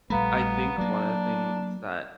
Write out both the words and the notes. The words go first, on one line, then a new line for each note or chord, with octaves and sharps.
I think one of the things that
A#1 G3 A3 B3 F5 A#5 B5
F#3 A#3 D4